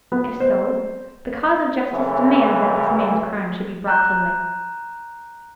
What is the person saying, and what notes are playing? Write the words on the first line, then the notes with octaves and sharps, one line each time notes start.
If so, the cause of justice demands that this man's crime should be brought to light.
B3
C5
B1 F#2 C#3 E3 A3
A#5 F#6 G6